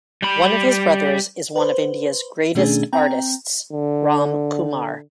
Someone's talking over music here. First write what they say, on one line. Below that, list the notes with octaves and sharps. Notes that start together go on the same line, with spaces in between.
One of his brothers is one of India's greatest artists Ram Kumar.
G3 B5
B4 C5
B2 D#3 A3 C#4 D4 G#4
C4 G5 A#5
D3